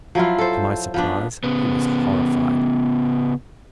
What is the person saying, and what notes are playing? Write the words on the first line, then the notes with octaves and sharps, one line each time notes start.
To my surprise he was horrified.
F3 F#3 E4 F4
A4 C5
F3 B3 D4
C#3 B3